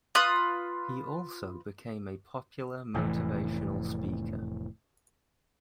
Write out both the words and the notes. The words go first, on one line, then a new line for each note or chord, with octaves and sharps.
He also became a popular motivational speaker.
F4 B4 D#6
F1 A2 E3